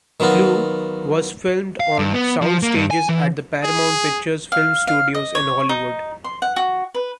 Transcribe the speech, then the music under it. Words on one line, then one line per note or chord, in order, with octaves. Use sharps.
"Clue" was filmed on sound stages at the Paramount Pictures film studios in Hollywood.
D#3 F#3 B3 F4 F#4
F5
G2
B3
F3
A#3
G2
G#5
E3
G#4
F5
F5
D#5
C#5
D#4
C6
F#5
F#4
B4